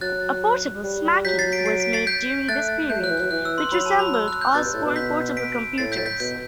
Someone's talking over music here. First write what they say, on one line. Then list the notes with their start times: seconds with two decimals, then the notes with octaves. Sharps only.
A portable Smaky was made during this period, which resembled Osborne portable computers.
0.01 F#3 F#6 A6
0.84 G3
1.05 G3
1.25 F#3 G6 B6
1.39 A6 C7
1.52 B6 D7
1.66 A6 C7
1.80 B6 D7
1.93 A6 C7
2.07 G6 B6
2.49 A3 F#6 A6
2.90 A3 G6
3.00 F#3
3.04 F#6
3.10 E3
3.17 F#3 F#6
3.31 E3 F#6
3.45 E6
3.58 C6
3.72 F#3 B5
3.86 A5
3.99 B5
4.14 E6
4.28 F#6
4.41 G6
4.54 B2 F#6 A6
4.65 G2
4.75 A2
4.85 B2
4.96 G6 B6
5.37 B6 D7
5.78 A2 A6 C7
5.92 G6 B6
6.06 G6 B6
6.20 B2 G6